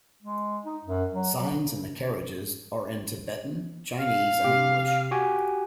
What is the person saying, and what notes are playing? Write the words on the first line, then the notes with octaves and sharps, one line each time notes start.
Signs in the carriages are in Tibetan, Chinese, and English.
G#3
D#4
F#2
F#3
F#3
C#3
F5
C3 G4
F#4 G4 G#5